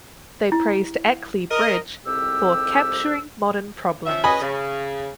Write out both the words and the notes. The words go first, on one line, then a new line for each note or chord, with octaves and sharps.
They praised "Ackley Bridge" for "capturing modern problems".
E4
A#4 D#5
C2 F2 G#2 C4 G4 E6
F3 C#4 E5
C#4 B4 D#5 G#5 B5
C#3